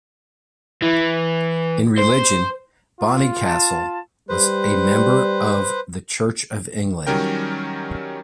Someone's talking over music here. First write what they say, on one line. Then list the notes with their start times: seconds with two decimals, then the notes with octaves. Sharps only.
In religion, Bonnycastle was a member of the Church of England.
0.83 E3
1.98 C5
3.01 F4
3.45 A5
4.29 G3 B4 C5
7.07 D#3 F#3 G3 C#4 A#4 G5